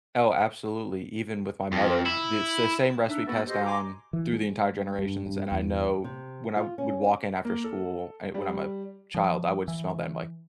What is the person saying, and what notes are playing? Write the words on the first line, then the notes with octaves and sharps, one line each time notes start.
Oh, absolutely, even with my mother, it's the same recipe passed down through the entire generations, and I know when I w would walk in after school, uh, when I'm a child, I would smell that, I'm, like,
F2
E4
D4 D#4 E5
A#3 B3 F#4 A4 B4
F#4 G4 A4 C5 D#5
G#5 A#5 C6 D6
E3
G#3
G2
G2
E2
C3
F4
C#4
A#3
A4
G3
F3
E3